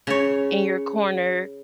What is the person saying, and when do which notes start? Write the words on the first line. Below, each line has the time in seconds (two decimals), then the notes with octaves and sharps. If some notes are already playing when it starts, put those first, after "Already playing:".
in your corner,
0.07 C#3 C#5